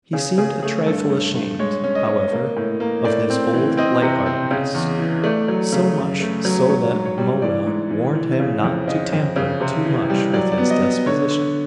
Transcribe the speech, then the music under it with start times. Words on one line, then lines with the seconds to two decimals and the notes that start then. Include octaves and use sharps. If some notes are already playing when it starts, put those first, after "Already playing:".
He seemed a trifle ashamed, however, of his old lightheartedness; so much so that Mona warned him not to tamper too much with his disposition.
0.13 C#3 G#4
0.38 C#3 G#4
0.62 A3 G#4
0.87 G2 A4
1.10 G2
1.35 G2
1.59 G#3 C#5
1.84 C#4
1.95 D#5
2.08 C#4
2.32 A#3
2.56 A2
2.80 A#3
3.05 A2 D5
3.30 C4
3.53 E3
3.77 C4 D#5
4.02 C3
4.26 C4
4.51 C#3
4.74 E2
4.99 E3
5.24 A3 D5
5.48 F#3
5.72 C#3
5.96 F#2
6.20 A3
6.45 F#3
6.69 G#2 C#5
6.94 G#2
7.05 C#5
7.18 G3
7.42 E3 D5
7.66 G#2
7.90 E3
8.15 E3
8.40 C#3
8.64 F2
8.88 C#3 D#5
9.12 F2
9.36 C#3
9.60 C3
9.85 E3
10.10 G3
10.34 F#3 D5
10.52 D5
10.58 B3
10.70 D#5
10.82 B3
11.06 D3 C#5
11.31 D3